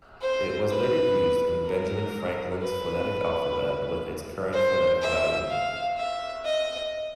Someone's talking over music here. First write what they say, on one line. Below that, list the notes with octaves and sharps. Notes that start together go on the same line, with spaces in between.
It was later used in Benjamin Franklin's phonetic alphabet, with its current phonetic value.
C5
B4
A#4
B4
C5
E5
F5
E5
D#5